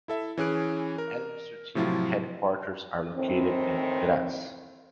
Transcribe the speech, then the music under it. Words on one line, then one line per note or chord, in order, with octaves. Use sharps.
The administrative headquarters are located in Graz.
E4 A4 E5
E3 C#4 G#4 F#6 D7
A#4
A2 C3 F3 F#3 E4 F4
A2 D#3 E3 C4